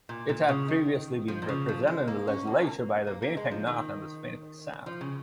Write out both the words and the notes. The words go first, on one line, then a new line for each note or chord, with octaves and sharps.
It had previously been represented in the legislature by Winnipeg North and Winnipeg South.
A#2
A#2
C#3
D#3
F3
A#2
C#3
F3
G#3
A#3
C#4
A#3
A#3
A#3
G#3
F3
D#3
F3
C#3